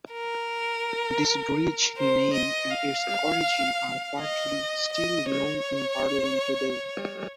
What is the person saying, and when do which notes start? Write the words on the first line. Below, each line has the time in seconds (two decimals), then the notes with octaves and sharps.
This bridge name and its origin are partly still known in Berlin today.
0.12 A#4
1.97 C5
2.33 D#5
2.71 F5
4.19 D#5
4.93 D#5
5.30 C#5